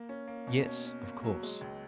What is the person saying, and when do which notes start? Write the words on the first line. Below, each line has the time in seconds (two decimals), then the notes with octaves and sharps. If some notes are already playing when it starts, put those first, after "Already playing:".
"Yes; of course."
Already playing: A#3
0.09 C#4
0.27 A#3
0.47 B2
0.66 C#4
0.85 C#4
1.04 A#3
1.24 F#3
1.43 G#3
1.61 C#2